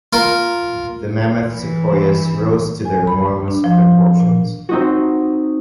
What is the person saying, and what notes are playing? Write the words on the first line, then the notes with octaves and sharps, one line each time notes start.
The mammoth sequoias rose to their enormous proportions.
F4 A#4
E3
G#5
B5
D4
F3
A#2
C4 D#4 F#4